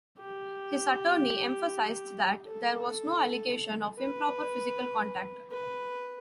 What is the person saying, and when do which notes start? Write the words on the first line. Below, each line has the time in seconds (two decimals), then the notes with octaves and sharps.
His attorney emphasized that there was no allegation of improper physical contact.
0.19 G4
2.46 A4
3.99 B4
5.51 B4